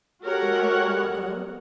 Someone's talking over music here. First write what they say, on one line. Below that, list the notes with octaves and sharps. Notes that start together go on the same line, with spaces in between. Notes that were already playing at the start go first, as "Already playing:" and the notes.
"And now you will not go?"
F#4 G4 A4 A#4 C#5 F#5